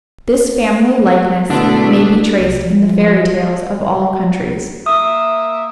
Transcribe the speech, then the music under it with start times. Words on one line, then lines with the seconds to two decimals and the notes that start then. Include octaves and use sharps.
This family likeness may be traced in the fairy tales of all countries.
1.50 E1 B2 D3 A3 D4
2.40 C2
2.64 F3
4.86 A#3 E5 D#6